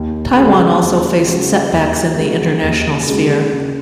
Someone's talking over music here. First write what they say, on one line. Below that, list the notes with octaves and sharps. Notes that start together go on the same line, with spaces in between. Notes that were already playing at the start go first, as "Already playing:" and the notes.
Taiwan also faced setbacks in the international sphere.
Already playing: D#2
C#3 G#3 F#4
D#2
C#3 G#3 F#4
D#2
C#3 G#3 F#4
D#2
C#3 G#3 F#4
C#3